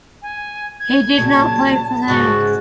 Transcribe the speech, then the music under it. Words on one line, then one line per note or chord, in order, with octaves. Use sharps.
He did not play for them.
G#5
G#6
A#2 C#3 F#3 A5
G#2 C#3 G#3 F#4 A6